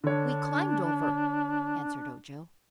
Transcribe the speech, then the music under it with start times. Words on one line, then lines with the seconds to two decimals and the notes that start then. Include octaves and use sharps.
"We climbed over," answered Ojo.
0.04 D3 D4 C#5